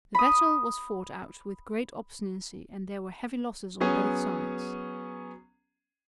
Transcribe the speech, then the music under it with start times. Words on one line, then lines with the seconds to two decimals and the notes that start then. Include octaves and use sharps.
The battle was fought out with great obstinacy and there were heavy losses on both sides.
0.15 B5 D#6
3.80 F#3 B3 C#4 G#4